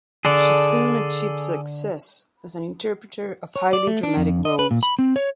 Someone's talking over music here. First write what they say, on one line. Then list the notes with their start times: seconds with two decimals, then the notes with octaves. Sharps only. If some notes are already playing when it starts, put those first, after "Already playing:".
She soon achieved success as an interpreter of highly dramatic roles.
0.25 D3 G#4 A4 D5
3.56 C#5
3.73 D5
3.87 A3
4.03 D4
4.17 F2
4.45 D#5
4.59 B4
4.71 A#2
4.83 B5
4.99 C4
5.16 C#5